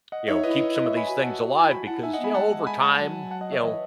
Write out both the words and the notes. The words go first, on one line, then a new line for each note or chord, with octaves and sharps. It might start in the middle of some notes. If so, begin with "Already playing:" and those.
you know, keep some of these things alive because, you know, over time, you know,
D#5 F#5
D#4 C#5 E5
E4 B4 D#5
B4 D#5
C#5 E5
G#5 B5
F#4 G#5 B5
F#5 A5
E4
F#4 G#5 B5
E4 F#5 A5
D#4 E5 G#5
D#5 F#5
B3 G#5 B5
G#3 F#5 A5
G#5 B5
F#5 A5
F#3
F#5 A5
D#5 F#5
C#5 E5
E3 B4 D#5